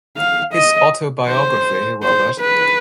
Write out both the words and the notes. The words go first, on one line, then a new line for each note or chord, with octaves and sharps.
His autobiography Robert.
F5
D#5
C5
C5
B4